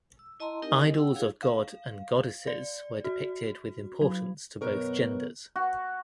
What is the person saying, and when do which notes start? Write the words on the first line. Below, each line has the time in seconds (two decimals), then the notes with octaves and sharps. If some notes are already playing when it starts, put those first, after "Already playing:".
Idols of god and goddesses were depicted with importance to both genders.
0.19 E6
0.40 E4 D#5 A5 A#5 C6
0.62 C4 D#4 G4 A#4 D#5 G#5
0.94 F#5 G5 E6
1.15 E4 G4 G#4 C#5 F5
1.43 F5
2.47 D5
3.04 F#4
4.01 F#3
4.61 F#2 B2 B3 A#4 C#5
5.56 F#4